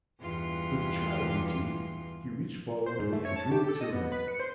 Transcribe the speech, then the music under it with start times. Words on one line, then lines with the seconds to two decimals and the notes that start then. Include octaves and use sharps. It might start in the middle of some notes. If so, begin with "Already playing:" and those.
With chattering teeth, he reached forward and drew it to him.
0.20 E2 G2 F4
2.86 C5
2.99 G#2
3.13 A3
3.25 C#5
3.36 A5
3.51 G4
3.69 A4
3.81 D#5
3.93 B3
4.12 B4
4.28 C#7
4.40 C5